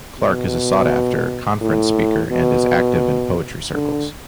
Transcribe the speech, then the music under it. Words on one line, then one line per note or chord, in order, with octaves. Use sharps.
Clarke is a sought-after conference speaker and is active in poetry circles.
B2
A2
B2
D3